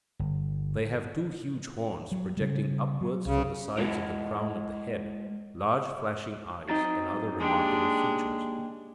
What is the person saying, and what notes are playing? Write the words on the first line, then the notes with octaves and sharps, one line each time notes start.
They have two huge horns projecting upwards from the sides of the crown of the head, large flashing eyes, and other remarkable features.
G1
F#3
C#3 G3
F#3
C2 C#3
G#3 E4 A#4
F#3 C4 D#4 D#5 A#5 A6
D#2 G#3 D4 G4